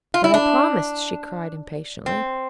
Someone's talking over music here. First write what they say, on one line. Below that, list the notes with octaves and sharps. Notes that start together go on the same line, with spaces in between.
"But I promised!" she cried, impatiently.
F4
E4
D4
C4